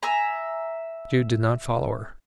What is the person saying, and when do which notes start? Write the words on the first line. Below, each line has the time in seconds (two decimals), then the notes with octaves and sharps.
Jude did not follow her.
0.03 E5 G#5 A#5